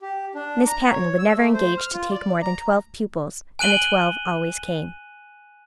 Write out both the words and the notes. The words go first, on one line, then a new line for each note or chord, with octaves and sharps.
Miss Patten would never engage to take more than twelve pupils; and the twelve always came.
G4
D4
A#5
C#5
E6
A3
C5
F6
F4
D5
A#5
G#5 F#6 D#7 F#7 G7